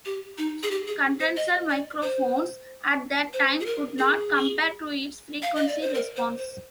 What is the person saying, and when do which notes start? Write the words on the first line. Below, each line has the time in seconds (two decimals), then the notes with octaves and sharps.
Condenser microphones at the time could not compare to its frequency response.
0.05 G4
0.38 D#4
0.63 G#4
0.71 G4
0.88 G#4
1.20 C5
1.37 D#5
1.69 D5
2.02 C5
3.33 C5
3.61 G#4
3.66 A#4
3.98 G#4
5.42 F5
5.55 D#5
5.68 D5
5.81 C5
5.94 A#4
6.16 C5
6.38 C5